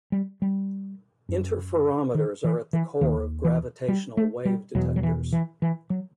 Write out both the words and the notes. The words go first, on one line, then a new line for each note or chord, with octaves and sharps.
Interferometers are at the core of gravitational wave detectors.
G3
G3
F#2
D#3
E3
E3
D#2 D#3
E3
G3
A3
G3
E2 B2 F#3
F#3
E3
E3
E3
F#3